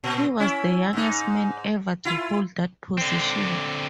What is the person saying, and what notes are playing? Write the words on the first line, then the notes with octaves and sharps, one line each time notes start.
He was the youngest man ever to hold that position.
A#2
C#4 E4
G#2 D#4
E4 F4
D3 C4